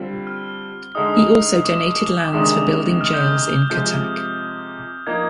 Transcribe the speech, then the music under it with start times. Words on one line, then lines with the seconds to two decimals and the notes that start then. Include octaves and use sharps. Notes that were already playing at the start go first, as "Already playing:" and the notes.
He also donated lands for building jails in Cuttack.
Already playing: D3 G3 C4 F4
0.27 F6
0.95 D3 G#3 D#4 D#6
1.64 D6
2.28 D6
2.33 C3 D#3 G#3 D4 D#6
3.01 F6
3.14 G6
3.28 F6
3.70 C3 F3 G#3 G6
5.07 F3 A#3 D#4 G#6